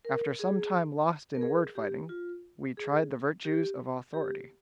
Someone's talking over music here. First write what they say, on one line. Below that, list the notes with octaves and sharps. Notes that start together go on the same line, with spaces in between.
After some time lost in word-fighting, we tried the virtues of authority.
A#4
G#4
A#4
G#4
G4
F4
G#4
G4
G4